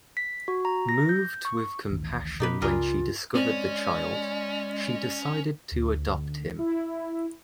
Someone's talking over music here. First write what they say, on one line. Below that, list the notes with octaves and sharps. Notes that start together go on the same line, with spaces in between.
Moved with compassion when she discovered the child, she decided to adopt him.
B6
F#4
A#5
A#6
G6
C#6
D1 A1 D#3
B2 B3 D#4 G4 B4
C#2 C#3 G3 F4 G#4 A#4
G#3 C4 C#4 D5
D2
E4